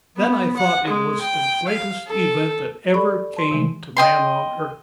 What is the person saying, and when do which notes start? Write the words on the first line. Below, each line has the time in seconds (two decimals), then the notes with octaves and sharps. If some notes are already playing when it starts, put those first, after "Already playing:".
Then I thought it was the greatest event that ever came to man on earth.
0.17 B3
0.57 F#5
0.88 G#3
1.21 G5
1.67 F5
2.07 A4
2.94 G4 A4 D5 B5 C#6
3.37 A5 C6
3.51 C3 E3 G#3 A3
3.97 D#5 G5 C6